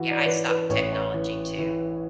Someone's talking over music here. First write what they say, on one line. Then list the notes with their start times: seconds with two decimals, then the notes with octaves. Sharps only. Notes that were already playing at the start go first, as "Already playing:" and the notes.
Yeah, I stopped technology too,
Already playing: E3 F#4
0.11 D5
0.19 C#5
0.26 E3 B4
0.48 B4
0.69 A1 C#5
0.93 C#5
1.14 E3
1.58 E3